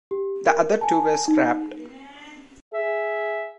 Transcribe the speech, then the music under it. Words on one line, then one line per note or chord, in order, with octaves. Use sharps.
The other two were scrapped.
G4
A#4
G#5 A5
D#4
G#4 E5